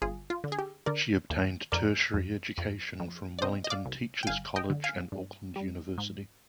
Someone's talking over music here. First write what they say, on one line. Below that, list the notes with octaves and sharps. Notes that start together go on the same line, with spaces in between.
She obtained tertiary education from Wellington Teachers College and Auckland University.
G1 F4 G#4
F4
D3
G#4
G4
D3 A#4 D5
D#2
F2 A#4 D5
F2
F2
F2
D5
C3 C5 D#5
D#5
D5 F5
C2
G5
G1 F5 G#5
D#5 G5
D3
F5 G#5
G2
G3
G#2